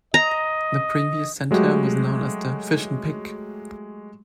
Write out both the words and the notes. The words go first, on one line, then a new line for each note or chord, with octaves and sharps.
The previous center was known as the "Fish N Pic".
D#5 A#5
F#3 G#3 A3 F#4 G4